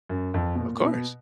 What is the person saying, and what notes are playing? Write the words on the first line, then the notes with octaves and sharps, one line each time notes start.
Of course.
F#2
F2
B2
A#2
A#2
B2